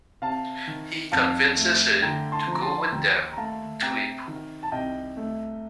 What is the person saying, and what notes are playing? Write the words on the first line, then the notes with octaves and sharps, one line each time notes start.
He convinces her to go with them to a pool.
C3 F5 A5
D#3
F2 F5 A5
A3
D3 G5 A#5
A5 C6
F3 A#5
A5 C6
D#2 G5 A#5
A#5
A3 F5 A5
C3 G5 A#5
D#3
A5
C2 D#5 G5
A3